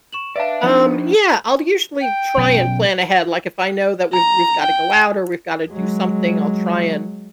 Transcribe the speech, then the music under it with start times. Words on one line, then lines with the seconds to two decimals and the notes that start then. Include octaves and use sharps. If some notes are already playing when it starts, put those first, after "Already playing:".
Um, yeah, I'll usually try and plan ahead. Like, if I know that we've we've gotta go out, or we've gotta do something, I'll try and,
0.13 C#6 E7 F#7
0.36 B4 D5 E5 F5 A5
0.63 F3 D4 D#4 C5
2.00 G5
2.37 B2 F#3 C#4
4.13 A#5
4.63 G5
5.71 F#3 G#3